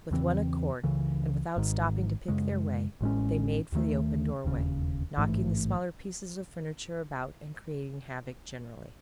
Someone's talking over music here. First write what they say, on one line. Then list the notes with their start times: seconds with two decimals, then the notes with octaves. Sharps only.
With one accord, and without stopping to pick their way, they made for the open doorway, knocking the smaller pieces of furniture about and creating havoc generally.
0.11 E2 C#3 E3 C4
0.83 C#2 C#3 E3
1.57 G#1 G#2 D#3
2.28 F#2 C#3 G#3
3.01 A1 A2 G#3 C#4
3.72 D#2 D#3 A3
4.45 E1 D#2 C#3
5.17 A1 G#2 E3 A3